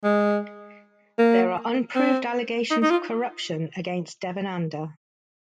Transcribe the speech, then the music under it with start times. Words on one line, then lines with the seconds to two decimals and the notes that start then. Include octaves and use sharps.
There are unproved allegations of corruption against Devananda.
0.04 G#3
1.18 A#3
1.95 C4
2.71 D#4
2.83 D#4
2.90 F4